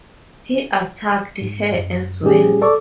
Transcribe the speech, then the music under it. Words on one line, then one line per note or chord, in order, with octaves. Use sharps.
He attacked her as well.
G#2
F#2
A#2 G3 A3 C#4 G4 G#4
A4 D5 C#6 D6